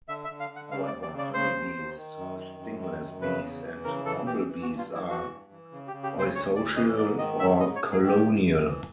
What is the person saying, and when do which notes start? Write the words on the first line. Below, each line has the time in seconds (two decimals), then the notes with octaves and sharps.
However, honey bees, stingless bees, and bumblebees are eusocial or colonial.
0.08 D3 E5
0.24 E5
0.30 D3
0.40 F5
0.51 D3
0.56 F#5
0.71 C#3 F5
0.87 D5
0.92 D#2
1.02 D5
1.13 C#3
1.18 D5
1.34 C#3 C5
1.55 D#2
1.76 D#2
1.96 D#3
2.17 F#2
2.38 D#3
2.59 F#2
2.80 D#3
3.01 F#2
3.22 C#3 B4
3.42 E2
3.64 E3
3.84 C#3 A#4
4.05 E3 A4
4.26 E3 G4
4.48 E3
4.62 F#4
4.68 G2
4.78 F4
4.88 E3
4.94 E4
5.09 E3 F#4
5.30 G2
5.51 E3
5.72 C#3
5.87 G4
5.93 C#3
6.03 G4
6.14 D2
6.19 C5
6.35 D2 C#5
6.55 D2 D5
6.76 E3 D#5
6.97 G#2 D5
7.18 D#3 D#5
7.38 G#2 E5
7.60 G#2 D#5
7.76 C#5
7.81 G#2
7.91 G#4
8.02 D#3
8.07 G4
8.23 F#2
8.44 F#2
8.64 E3